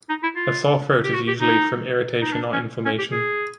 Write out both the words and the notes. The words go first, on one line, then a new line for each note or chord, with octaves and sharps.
A sore throat is usually from irritation or inflammation.
D#4
E4
F4
G4
F#4
G4
D#4
D#4
D4
C#4
C#4
G4
G#4